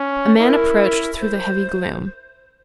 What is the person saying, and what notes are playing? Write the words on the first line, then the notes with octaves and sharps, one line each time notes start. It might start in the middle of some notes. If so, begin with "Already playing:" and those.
A man approached through the heavy gloom.
Already playing: C#4
E4 A#4
C5